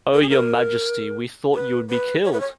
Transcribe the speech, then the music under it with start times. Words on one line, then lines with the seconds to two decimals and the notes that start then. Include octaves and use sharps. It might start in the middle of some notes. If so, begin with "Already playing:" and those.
Oh, your Majesty, we thought you would be killed!
0.14 A#4
0.22 G#4
0.29 A#4
1.54 B4
1.90 B4
2.24 C#5
2.32 B4
2.40 C#5